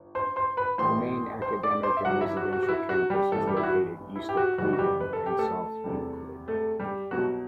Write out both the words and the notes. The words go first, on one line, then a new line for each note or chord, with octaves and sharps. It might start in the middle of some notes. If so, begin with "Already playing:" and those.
The main academic and residential campus is located east of Cleveland in South Euclid.
Already playing: G1
C5 C6
C5 C6
B4 B5
A1 A2 E3 G3 C5 C6
C5 C6
D5 D6
C5 C6
E5
G1 G2 F#3 F#4 F#5
E4 E5
F#4
F#4
F#4
E4
F#4
G3 G4
A1 G2 E3 G3 A3 A4
G3 G4
E4
F#4
E4
G4
F#4
F#1 F#2 E3 G3 F#4
F#4
G3 G4
B4
A4
G4
A3 A4
E2 C3 G3
A3 A4
G3 G4
C2 B2 F#3 F#4